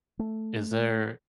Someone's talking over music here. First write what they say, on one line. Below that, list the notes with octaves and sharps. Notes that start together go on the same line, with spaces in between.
is there
A3